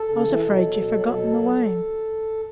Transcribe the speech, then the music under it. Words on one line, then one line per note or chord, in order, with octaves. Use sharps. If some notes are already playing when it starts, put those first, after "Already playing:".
I was afraid you'd forgotten the way.'
Already playing: A4
C#3
E3
B2
F#3
B2
F#3
B2 A4
F#3